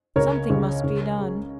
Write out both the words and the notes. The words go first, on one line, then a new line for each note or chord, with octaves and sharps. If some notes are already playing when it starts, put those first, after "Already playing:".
Something must be done.
C#2 A#4 C#5
C#2
C#2
G#3